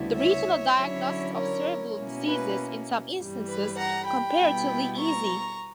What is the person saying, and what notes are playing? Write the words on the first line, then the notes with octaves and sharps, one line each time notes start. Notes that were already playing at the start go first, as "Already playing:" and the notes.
The regional diagnosis of cerebral disease is, in some instances, comparatively easy.
Already playing: D2 C#3 G3 B3 E4
C#5 E5
D3 F#3 C#4 E4 C#5 E5
A#4 C#5
B2 A#3 C#4 E4
B4
G2 E3 G3
B4
F#5 A#5
G5 B5
B2 G3 B3 E4
A#5 C#6